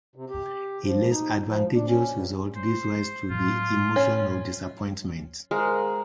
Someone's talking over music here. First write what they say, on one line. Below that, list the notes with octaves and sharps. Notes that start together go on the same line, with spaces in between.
A less advantageous result gives rise to the emotion of disappointment.
C3
G4
F3
D#4
F3
D4
C#4
G2
C5
A2 F#3 F4
C#4
G#3 A#4 C5 F5